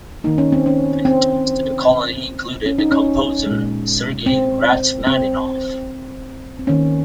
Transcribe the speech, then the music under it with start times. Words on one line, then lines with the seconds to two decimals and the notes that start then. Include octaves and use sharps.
Visitors to the colony included the composer Sergei Rachmaninoff.
0.24 D#3 A#3 D#4
0.38 C#4
0.52 C4
0.66 C#4
1.05 C4
2.66 C#4
2.78 D#4
2.92 C#4
3.46 A#2 G#3
4.26 C4
5.07 C4
6.59 C4
6.67 D#3 A#3 C#4